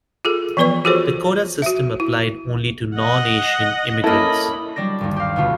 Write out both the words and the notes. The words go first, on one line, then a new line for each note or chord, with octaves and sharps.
The quota system applied only to non-Asian immigrants.
F4 G#4 A4
E3 F3 B3 B4 D5 C#6
F4 F#4 G#4 A4 C5 C#5
F#4 E5
E4
D#5 F#5
A#3 C#4 E4 A4 A#4 D#5 A5 B5
F#3 G3 D4 D5 A#6
G1 D#2
G4 F5
C#2 B2 D3 A3 B3 F4